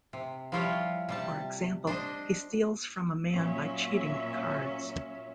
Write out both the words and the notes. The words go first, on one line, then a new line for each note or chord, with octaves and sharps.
For example, he steals from a man by cheating at cards.
C3
F3 G3 E4 F4 G4 C#5
C3 G3 A5
D4 C5 D#5
A#2 F#3 C#4 E5